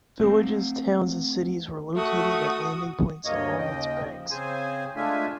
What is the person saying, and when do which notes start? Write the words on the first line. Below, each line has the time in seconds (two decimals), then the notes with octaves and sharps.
Villages, towns, and cities were located at landing points along its banks.
0.20 A3 C4
1.95 A3 F#4 D#6
3.25 D2 G2 A#3 C#5 D#5
3.58 D#2 C#3 D#5 G5
4.08 F3
4.31 C#3 C4 G#4 C5 G#5
4.96 G#3 A3 D4 F4 E5 G#5